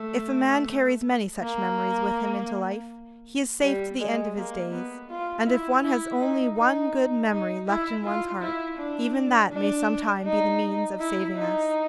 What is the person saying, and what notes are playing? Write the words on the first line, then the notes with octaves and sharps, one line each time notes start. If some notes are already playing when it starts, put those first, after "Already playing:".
If a man carries many such memories with him into life, he is safe to the end of his days, and if one has only one good memory left in one's heart, even that may sometime be the means of saving us.
Already playing: A3
A#3
G3
G#3
A#3
B3
F4
E4
E4
D#4
D#4
D#4
E4
F4
E4
D4
D4
D#4
E4
D#4